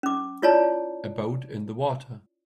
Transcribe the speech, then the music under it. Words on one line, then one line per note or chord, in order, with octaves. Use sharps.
A boat in the water.
C#4 D6
E4 F4 C#5 D5 A5 A#5